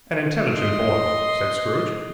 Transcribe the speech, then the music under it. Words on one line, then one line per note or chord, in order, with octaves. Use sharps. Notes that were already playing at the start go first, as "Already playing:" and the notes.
'An intelligent boy!' said Scrooge.
D#5 C6